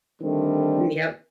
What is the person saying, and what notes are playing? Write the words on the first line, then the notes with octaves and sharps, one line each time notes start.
M yep.
D3 D#3 G3 A3 C4